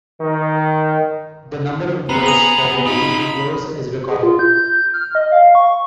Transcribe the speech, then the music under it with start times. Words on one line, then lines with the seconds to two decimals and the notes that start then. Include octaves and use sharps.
The number of blows for the groove to close is recorded.
0.21 D#3
2.09 B3 C4 B4 A#5 B5 C7
2.26 G#4 A#5 D#7 F7
2.86 D#4 F4 B5 D#6
4.10 G#4
4.23 F4
4.39 G6
4.93 F6
5.15 D#5
5.32 F5
5.55 C#6